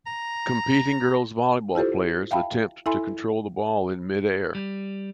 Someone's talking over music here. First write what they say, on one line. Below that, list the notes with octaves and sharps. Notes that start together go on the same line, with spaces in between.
Competing girls volleyball players attempt to control the ball in midair.
A#5
E4 F4 G4 A4 C5
E5 F5 G5 A5 B5
E4 A4 E5 G#5 B5 C6
G3